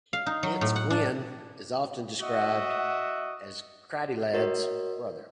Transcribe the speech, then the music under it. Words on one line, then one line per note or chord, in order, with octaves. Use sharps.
Hence, Gwyn is often described as Creiddylad's brother.
F5
D#4
F#3
A2
F#5
D4
F#4 D#5 E5 F#5
F#4 A#4 C#5 D#5